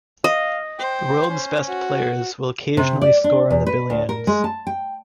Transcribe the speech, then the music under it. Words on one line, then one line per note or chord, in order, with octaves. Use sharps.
The world's best players will occasionally score in the billions.
D#5 F5
C5 G5
C#4
F#4
C3
D5
D4
E2
B4
D2
A#4
G#3
A5
G5